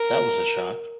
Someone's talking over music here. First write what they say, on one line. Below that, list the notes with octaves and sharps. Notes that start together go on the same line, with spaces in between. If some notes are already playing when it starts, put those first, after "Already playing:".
That was a shock.
Already playing: A#4